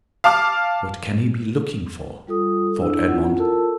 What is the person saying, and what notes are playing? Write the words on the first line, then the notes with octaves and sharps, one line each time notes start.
"What can he be looking for?" thought Edmond.
F5 A5 D6 F6
G3 F4 A4 D#6
D4 E4 E6
C#4 E4 F4 F#5
F4 A4 A#4 A5 E6